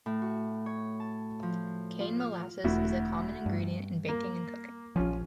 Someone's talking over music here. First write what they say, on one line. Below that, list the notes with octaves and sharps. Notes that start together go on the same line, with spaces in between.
Cane molasses is a common ingredient in baking and cooking.
A2
F#4
C#5
A5
F3
F4
F6
E1 D2 E4 F#4
G2
A#3
A#1 F3 C#4 F4